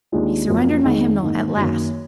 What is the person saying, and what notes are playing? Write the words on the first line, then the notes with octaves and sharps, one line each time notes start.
He surrendered my hymnal at last.
D#2 D#3 G#3 D4 F4
F#2 F3 A#3 D4
F2 D#3 G#3 D#4
G#2 D#3 A#3 D#4
F#2 D#3 A#3